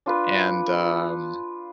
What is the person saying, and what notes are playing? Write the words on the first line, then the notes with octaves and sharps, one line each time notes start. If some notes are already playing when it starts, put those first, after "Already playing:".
and, um
D4 F4 B4